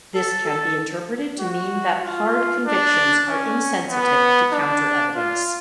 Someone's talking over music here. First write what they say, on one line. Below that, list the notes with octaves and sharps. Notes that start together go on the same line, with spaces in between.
This can be interpreted to mean that hard convictions are insensitive to counter-evidence.
A4
A4
F#4
F4
D4
C#4
B3
D4
F4